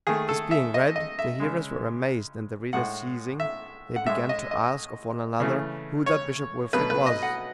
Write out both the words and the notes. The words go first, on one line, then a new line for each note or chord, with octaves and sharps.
This being read, the hearers were amazed, and the reader ceasing, they began to ask of one another, who that Bishop Wilfrid was.
D#3 A3 G#4
A4
E5
D#5
D#5
E5
C#3 G#3
A2 G#3 F#5
E5
F#5
A2 G#3 E5
D#5
D#5
C#3 E3 A3
C#5
B2 F#3 A3 B4
B4
D#5
F#5